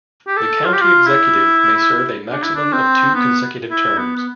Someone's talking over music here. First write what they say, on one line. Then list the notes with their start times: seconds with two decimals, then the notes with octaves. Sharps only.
The County Executive may serve a maximum of two consecutive terms.
0.28 G4
0.37 A4
0.65 F4
0.73 G4
0.81 F4
1.07 E4
2.31 D4
2.43 E4
2.55 D4
2.73 C4
3.15 B3
3.71 E4
3.98 B3
4.17 B3